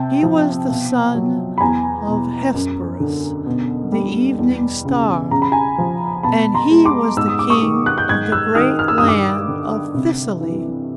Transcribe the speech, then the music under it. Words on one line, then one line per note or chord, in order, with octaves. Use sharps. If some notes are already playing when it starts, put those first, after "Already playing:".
He was the son of Hesperus, the Evening Star, and he was the king of the great land of Thessaly.
Already playing: C3 G5 A5
F3
B2
F#3
B5
E2 G#5 A#5
B2
F#2
D3
B2
G3
E2
C#3
C#3 A#5
B5
G#5 A#5
F3
B2 A5 B5
A#5 C6
G#3
C6 D6
G#2 E6
D#6
D6
C#6 D#6
D#3
F#6
G6
G#2 F#6 G#6
E6 F#6
D#3 D#6 F6
F6
E6
G2 D#6
D6 E6
D3
C3
E3